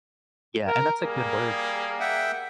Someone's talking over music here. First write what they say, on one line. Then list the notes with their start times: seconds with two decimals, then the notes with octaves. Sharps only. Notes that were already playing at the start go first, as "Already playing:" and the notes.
Yeah, and that's a good word.
0.66 A#4
1.01 G3 A#3 G#4
2.00 E5 F#5 G5